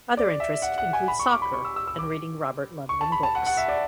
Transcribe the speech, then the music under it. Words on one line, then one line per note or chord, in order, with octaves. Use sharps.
Other interests include soccer and reading Robert Ludlum books.
D5
E5
F#5
F#5
G#5
B5
C#6
D6
B5
C#6
E6
E6
E6
D6
C#6
A5
B5
A5
F#5
F#5
E5
D5